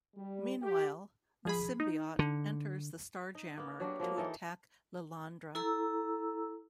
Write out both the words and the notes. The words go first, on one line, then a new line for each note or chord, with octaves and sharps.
Meanwhile, the Symbiote enters the Starjammer to attack Lilandra.
G3
G4
F3 G#4 B5
D#4
D3
D#4
A#3 B3
F#3 D4 F#4 G4
F3 F#3 A#3
E3 D#4 A4
E4 A4 A#5 E6